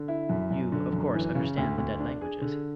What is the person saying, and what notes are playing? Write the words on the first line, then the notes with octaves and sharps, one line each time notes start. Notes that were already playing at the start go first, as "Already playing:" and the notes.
"You, of course, understand the dead languages?"
Already playing: D3
E4
F#2
F#2
D3
F#2
E3
C#3
D2
D2
D4
G#4
D3